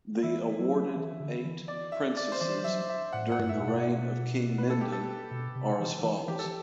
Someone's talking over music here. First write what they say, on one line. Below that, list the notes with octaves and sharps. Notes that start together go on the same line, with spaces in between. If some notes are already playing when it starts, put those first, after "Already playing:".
The awarded eight princesses during the reign of King Mindon are as follows.
E3 E4
F#3
E3
D3
E3
D5
E5
D5
C5
E3 D5
F#3 E5
E5
A2 F#5
F#5
G2
A2 E5
B2
D5
B4
A4
G4
A4
B2
C3
E3
E3
E3 G4
A4